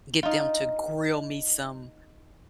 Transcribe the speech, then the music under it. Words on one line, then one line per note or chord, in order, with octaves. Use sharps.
get them to grill me some,
D#4 F4